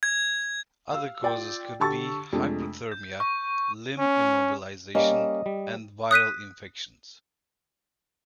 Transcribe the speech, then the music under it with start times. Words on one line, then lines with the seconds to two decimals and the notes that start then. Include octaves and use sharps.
Other causes could be: hyperthermia, limb immobilization and viral infections.
0.03 G#6
0.92 F5 E6
1.22 F4 D5 G5
1.80 D3 G4 A5 C#6 E6 A6
2.33 F2 C3 G#3 A3 D4
2.92 G6
3.20 C#6
3.99 C#4
4.95 G3 A#3 C#4 D#5
5.46 G3
6.11 D#6 F#6 B6 D#7